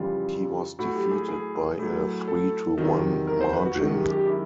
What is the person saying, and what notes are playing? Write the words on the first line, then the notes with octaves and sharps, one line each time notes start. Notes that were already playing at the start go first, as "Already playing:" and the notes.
He was defeated by a three-to-one margin.
Already playing: F2 C#3 E3 G3 F4
A2 F#3 F#4
G4
G#4
G#4
A2 F#3
A4
E2 C3 D#3 F#3
A#4
C5
B4
F#4
F#2 D#3 G#3 F#4
G4
G4
E4